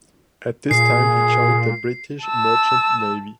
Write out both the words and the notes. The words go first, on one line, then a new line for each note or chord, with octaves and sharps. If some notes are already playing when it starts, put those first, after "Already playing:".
At this time he joined the British Merchant Navy.
A#2 G#4 C7
A5 E6